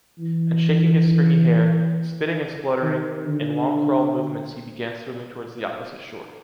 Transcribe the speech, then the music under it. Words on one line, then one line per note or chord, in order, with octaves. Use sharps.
And shaking his stringy hair, spitting and spluttering, in long crawl movements he began swimming towards the opposite shore.
E3
D#3
D3